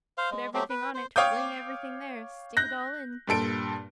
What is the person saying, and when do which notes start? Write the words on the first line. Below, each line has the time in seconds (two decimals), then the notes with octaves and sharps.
Put everything on it, fling everything there, stick it all in.
0.18 C5 F5
0.31 G#3
0.54 F#3 A3 C4 G4
0.70 B4
0.95 C5
1.16 C#5 F5 G5 D6 D#6 G6
2.57 F#6 G6 A#6
3.28 G2 A#2 A4 D7